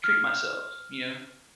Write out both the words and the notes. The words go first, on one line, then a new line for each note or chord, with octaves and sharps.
"Treat myself," you know?
F6